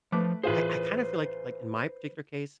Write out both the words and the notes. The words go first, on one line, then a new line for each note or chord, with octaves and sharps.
I I kind of feel like like, in my particular case,
F3 A3 B4 D6
A1 F4 G#4 B4 C5